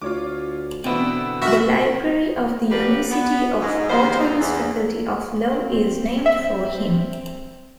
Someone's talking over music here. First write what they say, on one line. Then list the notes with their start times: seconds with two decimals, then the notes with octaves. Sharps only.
The library of the University of Ottawa's Faculty of Law is named for him.
0.02 D2 F4 C#5 D6
0.84 B2 D3 E3 B3 C4 E4
1.42 F1 F#2 F#4 E5 C#6 F6
2.70 F3 F#3 A#3 G4 B4 D5
3.11 B3
3.61 G#2
3.89 D#3 G3 G#3 B3 C5
4.19 G2 A#2 A#3 C4 D#4
4.40 E2
5.50 C4
6.26 E5